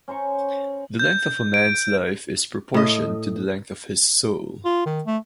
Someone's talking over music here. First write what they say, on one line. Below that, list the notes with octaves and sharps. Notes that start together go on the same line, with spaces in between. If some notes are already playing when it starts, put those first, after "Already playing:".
The length of a man's life is proportioned to the length of his soul.
C#4 C5 A#5 C#6
G6
D7
A2 D#5
F4
D#3
A3